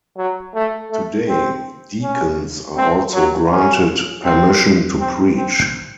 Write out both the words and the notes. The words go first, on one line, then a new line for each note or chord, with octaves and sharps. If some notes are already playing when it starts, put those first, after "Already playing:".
Today, deacons are also granted permission to preach.
F#3
A3
A3
C4
C#4
C4
F#3
C#4
C4
C4
C4